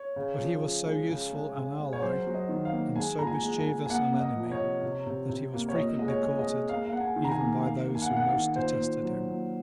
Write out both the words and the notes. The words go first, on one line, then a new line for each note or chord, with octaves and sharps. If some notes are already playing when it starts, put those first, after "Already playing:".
But he was so useful an ally, and so mischievous an enemy that he was frequently courted even by those who most detested him.
Already playing: C#5
C#3
F3
C#3
G#3
C#3
G#3
C#3
G#3
C#5
F#3 C5
F#3
D#5
D#3
F5
A#3
G#3 G#5
A#2 A#5
G#5
G#3
G#5
A#2
G#5
A#3 F#5
A#3
D#5
F3
D#5
C#5
C3
C3
C3
C3
A#3
C#5
A#2 D#5
G#3 D#5
C#5
G#3
D#5
G#3
A#3 F5
F5
A#3 F#5
G#5
D#3
A#5
G#5
A#3
A#3 F5
A#3
G#5
F#5
A#3 F5
F#5
F5
D#3
A#2 C5
A#2
F#3
A#2